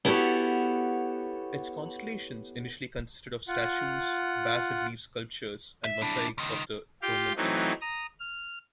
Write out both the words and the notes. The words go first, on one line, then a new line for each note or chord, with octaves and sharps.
Its collections initially consisted of statues, bas-relief sculptures and mosaics of the Roman era.
B3 E4 F#4 G4 A4 C#5
F4 F#5
E5
D4 E4
C#2 D#3
F4 G4 F5 G5
E3 F#3 A3 C4 D#4
A#5 D#6
F6